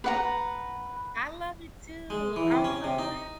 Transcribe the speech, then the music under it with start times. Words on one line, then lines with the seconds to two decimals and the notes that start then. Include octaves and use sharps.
I love it too, I'm so glad.
0.04 B4 F#5 A#5
2.10 G#3
2.36 E3
2.52 C3
2.64 C#4
2.84 C3
2.98 D#4